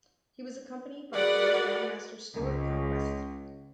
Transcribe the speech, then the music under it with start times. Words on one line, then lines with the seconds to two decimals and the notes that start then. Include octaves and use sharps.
He was accompanied by fellow Grandmaster Stuart Conquest.
1.13 F#4 G#4 A#4 B4 D5 F#5
2.35 C#2